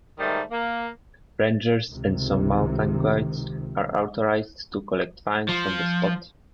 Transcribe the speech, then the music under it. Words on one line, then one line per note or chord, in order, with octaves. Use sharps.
Rangers and some mountain guides are authorized to collect fines on the spot.
G#2 D#3 G3 A3
A#3
C#2 C3 D#3
F3